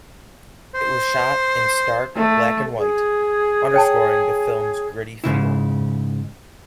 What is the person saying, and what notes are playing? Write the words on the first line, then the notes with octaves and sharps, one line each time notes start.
It was shot in stark black-and-white, underscoring the film's gritty feel.
C5
A3
G#4
C#5 G5 A5
G#2 C#3 E4